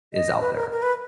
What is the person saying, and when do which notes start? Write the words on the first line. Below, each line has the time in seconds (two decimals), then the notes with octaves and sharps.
is out there.
0.14 D#5
0.41 B4
0.55 A#4
0.72 A#4
0.82 B4